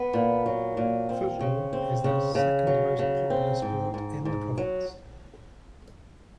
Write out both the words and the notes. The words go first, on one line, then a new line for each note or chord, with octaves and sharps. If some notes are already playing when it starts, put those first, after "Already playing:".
Football is the second most popular sport in the province.
Already playing: B3
A#2
F#3
A#2
C4
C#3
C4
C#3
C#3
F#3
C#3
C4
G#2
G#2
G#2
F#3